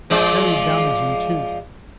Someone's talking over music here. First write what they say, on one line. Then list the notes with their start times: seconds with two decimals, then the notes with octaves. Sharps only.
Very damaging, too!
0.10 F3 G#3 D5